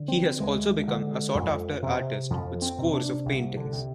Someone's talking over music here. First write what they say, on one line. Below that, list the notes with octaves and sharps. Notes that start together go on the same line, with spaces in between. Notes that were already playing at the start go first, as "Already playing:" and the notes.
He has also become a sought-after artist with scores of paintings.
Already playing: D3
C4
D2 G#3
D3
F2
C3
F2 F3
C4
C3
D4
C2
D3
C3